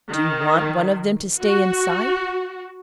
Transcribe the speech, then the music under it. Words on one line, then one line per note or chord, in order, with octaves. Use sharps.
Do you want one of them to stay inside?
D#3
F#4